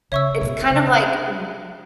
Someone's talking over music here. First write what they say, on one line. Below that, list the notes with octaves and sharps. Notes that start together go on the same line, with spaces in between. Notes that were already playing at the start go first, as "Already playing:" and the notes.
it's kind of like, m
C#3 C#5 E5 C#6 E6
B2
C#3